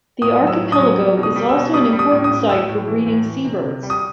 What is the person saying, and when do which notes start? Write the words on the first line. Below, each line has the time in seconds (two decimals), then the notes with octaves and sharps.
The archipelago is also an important site for breeding seabirds.
0.22 A2 D#6
0.41 F#3
0.47 E6
0.60 A2
0.72 D#6
0.78 F#3
0.98 G3
1.17 B2
1.23 D#6
1.36 G3
1.49 E6
1.55 B2
1.74 G3 D#6
1.93 G3
1.99 D#6
2.12 A2
2.24 D#6
2.31 A2
2.49 A2 E6
2.69 A2
2.88 E3
3.06 A2
3.25 E3
3.45 C3
3.64 C3
3.83 G3
3.90 D#6